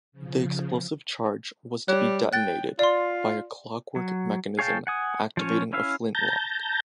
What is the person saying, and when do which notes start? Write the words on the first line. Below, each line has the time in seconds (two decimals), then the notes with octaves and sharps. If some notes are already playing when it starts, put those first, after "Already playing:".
The explosive charge was to be detonated by a clockwork mechanism activating a flintlock.
0.12 C#3 F3
1.88 G3 C#5 F#6
2.33 G5 F#6 A6
2.79 F4 D5 C6
3.96 F#3
4.59 G#4 C#5 F5 G5 A5
4.87 F#5 G#5 D#6
5.37 F3 C#4 C#5
5.73 C#4 E4 E5 F5
6.15 A5 A#5 G6